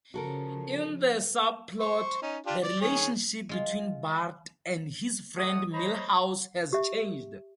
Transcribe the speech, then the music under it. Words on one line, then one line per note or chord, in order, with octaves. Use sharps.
In the subplot, the relationship between Bart and his friend Milhouse has changed.
C#3 F3 F#4 A4 A#4
C5 C#6
C#4 D#4
D4 F4 G4
D5
D#3 G#4 C#5
G#3 F4
G3 A3 C#5 D#5 F#5 D#6
C5 C#5 D#5 A#5 B5
G4 E5